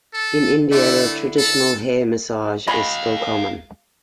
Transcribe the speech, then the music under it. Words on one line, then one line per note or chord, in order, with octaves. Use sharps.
In India, the traditional hair massage is still common.
A4
D3 A3 E4
A4
G#3 F#4 D#5 F5 B5